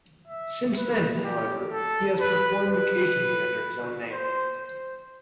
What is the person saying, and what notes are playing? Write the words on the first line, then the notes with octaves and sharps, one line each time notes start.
Since then, however, he has performed occasionally under his own name.
E5
B4
G4
A4
B4
B4
C5
C5